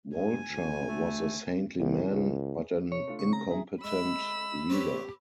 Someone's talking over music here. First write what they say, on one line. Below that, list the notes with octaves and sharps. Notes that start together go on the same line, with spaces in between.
Walcher was a saintly man but an incompetent leader.
G2 G#5
D2
A3
C2
C#2
C3 C#5
A3 D4 F4
C#3 C4 C#5 C#6
A#5
E4 G#4 E5
G#3 E4 B5 E6
C4 G4 B4 C#5